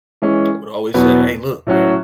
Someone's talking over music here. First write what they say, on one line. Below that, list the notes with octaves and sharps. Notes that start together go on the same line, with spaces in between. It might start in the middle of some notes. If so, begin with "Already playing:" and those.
would always say, "Aye, look, man,"
E3 G#3 C#4
E2 B2 F#3 B3
A2 F#3 C#4 F#4